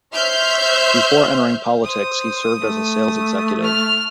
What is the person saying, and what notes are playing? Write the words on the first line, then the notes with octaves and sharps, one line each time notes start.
Before entering politics, he served as a sales executive.
C5 C#5 E5 F6 G6
C5 D#6
A3
F6